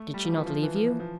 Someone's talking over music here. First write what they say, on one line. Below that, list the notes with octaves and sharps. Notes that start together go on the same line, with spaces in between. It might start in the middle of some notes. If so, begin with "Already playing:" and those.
"Did she not leave you?"
Already playing: A3
G3
F3
E3
F3
E3
F3
E3
F3